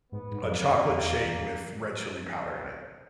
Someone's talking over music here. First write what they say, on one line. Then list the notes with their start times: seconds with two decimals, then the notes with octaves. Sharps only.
a chocolate shake with red chili powder in it,
0.12 G#2 B3
0.31 G#2
0.43 F#2
0.51 F2 A#3
0.70 F#2
0.89 F2
1.01 E2
1.24 E2